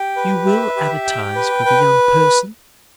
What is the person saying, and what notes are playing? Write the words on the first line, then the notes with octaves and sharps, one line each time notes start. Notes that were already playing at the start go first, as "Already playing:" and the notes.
"You will advertise for the 'young person'?"
Already playing: G4 G5
B4
E5
G4
G5
B4
B4